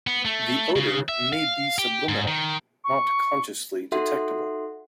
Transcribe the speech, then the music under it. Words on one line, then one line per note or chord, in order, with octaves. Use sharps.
The odor may be subliminal-not consciously detectable.
B3
A3
C#3
E5
F5
G4
G#2
D#3
C#6
D#4 F#4 A4 E5 F#5 C6